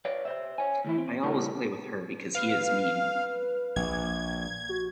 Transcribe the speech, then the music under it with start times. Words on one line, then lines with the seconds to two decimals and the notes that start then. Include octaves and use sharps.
I always play with her because he is mean.
0.05 B4 C#5 D5 F5
0.25 C5 E5
0.58 C#5 G#5
0.85 D2 E3 E4
0.98 C4
1.23 A2 C#3 G3 A4 A#4 C#5
2.35 B4 F5
3.76 A#1 G#6
4.69 F#4